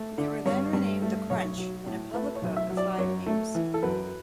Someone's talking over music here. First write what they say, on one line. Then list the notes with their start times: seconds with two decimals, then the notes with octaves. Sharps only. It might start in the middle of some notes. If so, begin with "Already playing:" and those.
They were then renamed the 'Crunch' in a public vote of five names.
Already playing: A3
0.18 D3
0.46 G2 C#5
0.73 G2
1.02 A3
1.30 B1 C#5
1.58 F#3
1.86 A2
2.14 A3 B4
2.35 C#5
2.42 B1
2.56 E5
2.70 F#3
2.77 D5
2.98 F#2 C#5
3.26 A3
3.55 E3
3.74 A4
3.83 F#2 B4